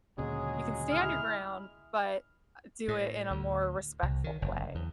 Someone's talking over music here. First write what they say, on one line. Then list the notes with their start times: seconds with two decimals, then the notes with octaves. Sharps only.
you can stand your ground, but, uh do it in a more respectful way.
0.18 D2 A#2 C#3 F#3 G#3 G#4
0.92 E4 F6
2.88 A2
3.31 D2
4.03 C2
4.24 D#3
4.42 F#1
4.75 E2